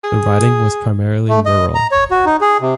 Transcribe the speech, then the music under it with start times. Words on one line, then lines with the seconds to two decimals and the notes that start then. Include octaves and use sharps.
The riding was primarily rural.
0.04 G#4
1.29 A3
1.46 D#5
1.75 A#5
1.92 C#5
2.11 F#4
2.25 D#4
2.41 G#4
2.61 C3